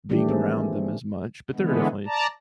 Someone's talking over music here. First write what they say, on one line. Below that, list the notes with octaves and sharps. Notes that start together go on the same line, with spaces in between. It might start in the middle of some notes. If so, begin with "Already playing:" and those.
being around them as much, but there are definitely
D#3 E3 G3 A3 D4 G4
A#3 C4 G#4
D3 E3 G#3 B3
D5 A5 A#5